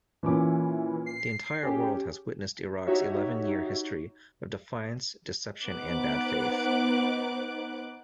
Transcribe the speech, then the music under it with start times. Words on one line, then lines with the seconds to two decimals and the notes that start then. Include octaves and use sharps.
The entire world has witnessed Iraq's eleven-year history of defiance, deception and bad faith.
0.23 A#2 E3 C#4 D6
1.06 C7
1.63 C#4 G4 G#4
2.87 D#4 F#4 G4 C#5 E5
5.62 B3 D#4 C5 D6 F#6